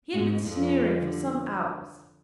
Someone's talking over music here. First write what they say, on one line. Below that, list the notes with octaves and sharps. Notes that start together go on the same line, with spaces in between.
He had been sneering for some hours.
G#2 G#3
F2 F3
D3